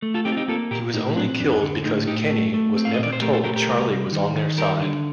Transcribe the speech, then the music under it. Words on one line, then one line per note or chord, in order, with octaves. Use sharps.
He was only killed because Kenny was never told Charlie was on their side.
A3
F4 A4
C4 D#4 G4
F4
D#4 G4
A#3 F4 A4
A#2 G4 A#4
A2 D#4
C4 D4
F2 D4
D3
A2 D#4
A2 D#4 G4
A3
A3
C4
F5
D#5
A#2 D5
C5
A3 G4 A#4
A4 C5
A3 G4 A#4
G4 A#4
C2
G3
D#3
D#3
G3 G4 A#4
D3